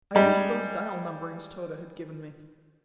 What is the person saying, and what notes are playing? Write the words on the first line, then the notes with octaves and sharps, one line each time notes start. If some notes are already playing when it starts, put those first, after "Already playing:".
I used those dial numberings Tode had given me.
G3 G#3